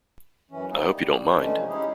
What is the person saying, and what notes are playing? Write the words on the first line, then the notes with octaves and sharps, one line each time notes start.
I hope you don't mind.
F#2 E3 C#4
A#3 B3 D#4
G3
E3 G#3 A3 C#4 D4
C3 F3 F#3
G#3 C#4 D#4 E4 G4 G#4